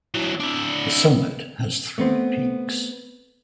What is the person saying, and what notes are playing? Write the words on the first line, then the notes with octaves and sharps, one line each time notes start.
The summit has three peaks.
E3 F#3
D4 E4
A3 B3 C4